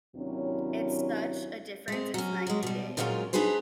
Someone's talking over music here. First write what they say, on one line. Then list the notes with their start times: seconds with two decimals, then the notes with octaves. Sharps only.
it's such a difference, it's night and day.
0.15 D#2 C3 F#3 C#4 D4 E4
1.88 G#3 C4
2.14 F#3 C#4
2.47 F#3 G#3
2.63 B2 G3
2.97 A#2 F#3 G#3 B3 C#4 F4
3.33 D4 D#4 G4 G#4 B4 C5